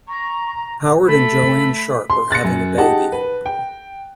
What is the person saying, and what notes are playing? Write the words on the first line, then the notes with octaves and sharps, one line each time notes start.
Howard and Joanne Sharp are having a baby.
A#5 C#6
A3 A4 B5
C6
F#6 A6 A#6 C#7
F#2
D#4 G4 G#4 F#5 A5
B4
G5